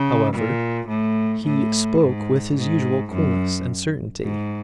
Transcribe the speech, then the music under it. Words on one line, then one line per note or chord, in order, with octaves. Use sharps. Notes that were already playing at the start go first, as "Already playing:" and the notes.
However, he spoke with his usual coolness and certainty.
Already playing: C#3
A#2
A2
A2
G#2
G#2
F#2
G#2